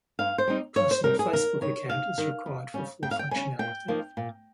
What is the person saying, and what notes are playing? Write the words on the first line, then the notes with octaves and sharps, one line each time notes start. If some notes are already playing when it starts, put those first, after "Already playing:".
A personal Facebook account is required for full functionality.
G2 F5
C5
G3 C4 D#4
G2 C#5
C5
G3 C4 D#4 A#4
G#4
D#2 A#4
D#3 G3 C#5
D#2 F5
D#3 G3
F2
C#3 G3 C#4
F2 G5
F5
G5
C#3 G3 C#4 G#5
A#2 G5
F3 A#3 D#4
A#2